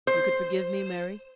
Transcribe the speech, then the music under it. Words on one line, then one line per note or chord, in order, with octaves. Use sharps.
"You could forgive me, Mary?"
C5